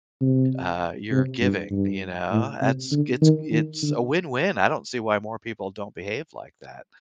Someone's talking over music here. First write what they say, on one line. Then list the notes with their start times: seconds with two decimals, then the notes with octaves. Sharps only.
uh, you're giving, you know? That's it's it's a win-win. I don't see why more people don't behave like that.
0.21 C3
1.11 C3
1.42 G2
1.71 G2
2.31 A2
2.61 C3
2.92 D3
3.22 D#3
3.51 D#3
3.82 D3